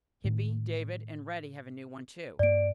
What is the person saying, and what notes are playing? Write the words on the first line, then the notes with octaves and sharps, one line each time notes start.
Hippy, David and Reddy have a new one, too.
A2 D#3
G2 A#3 D5 D7